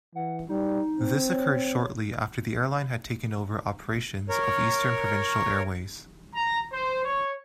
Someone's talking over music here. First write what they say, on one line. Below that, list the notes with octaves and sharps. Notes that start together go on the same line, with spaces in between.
This occurred shortly after the airline had taken over operations of Eastern Provincial Airways.
E3 F#5
G3 D#4
C4
C#5
A#4 C#5
A#5
C5
C#5